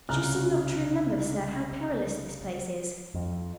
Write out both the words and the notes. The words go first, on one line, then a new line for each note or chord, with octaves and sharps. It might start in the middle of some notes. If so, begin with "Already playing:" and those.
But you seem not to remember, sir, how perilous this place is.'
C2 C#3 A#5 F6 F#6
F2